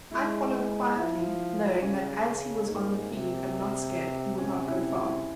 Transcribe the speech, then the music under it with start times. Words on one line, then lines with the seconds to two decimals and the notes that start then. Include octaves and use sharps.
I followed quietly, knowing that as he was on the feed and not scared he would not go far.
0.11 G#3 E4
0.96 F3 E4
1.82 C#3 C#4
2.67 G#2 A#3
3.11 C3
4.38 C3 C#4
4.67 E4
4.95 E4